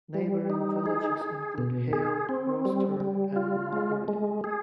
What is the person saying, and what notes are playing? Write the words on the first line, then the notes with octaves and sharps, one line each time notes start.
Neighbouring villages include Hale, Rostherne and Mobberley.
G3
D#4
G#4
G#4
B2
G#4
C4
G3
G3
F4
G#3
G#3
G#4